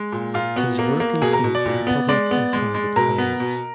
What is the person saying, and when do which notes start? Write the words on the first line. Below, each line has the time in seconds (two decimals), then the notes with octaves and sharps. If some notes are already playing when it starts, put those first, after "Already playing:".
His work included both public and private clients.
Already playing: G#3
0.12 A#2
0.34 A#2 F4
0.56 B3 F#4
0.79 A#3
1.00 A#3
1.21 B2 G#4
1.33 A#4
1.44 B2
1.55 D5
1.65 A#2
1.87 B3
2.09 G#3 D5
2.31 B3
2.53 G#3
2.74 G#3
2.96 B2 A#4
3.18 B3
3.40 B2